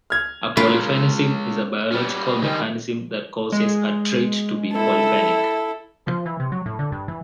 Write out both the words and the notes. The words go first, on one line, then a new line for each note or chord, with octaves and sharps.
A polyphenism is a biological mechanism that causes a trait to be polyphenic.
F6 G#6
G#3 C#4 F4 A#4 B4
G3 C#4
D#3 G3 G#3
G#3
E4 A4
F3
E3
C3
F#3
A2
D3
G2
E3